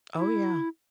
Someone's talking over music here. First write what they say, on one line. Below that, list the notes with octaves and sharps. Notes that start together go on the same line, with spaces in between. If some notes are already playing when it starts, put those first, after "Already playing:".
Oh, yeah.
E4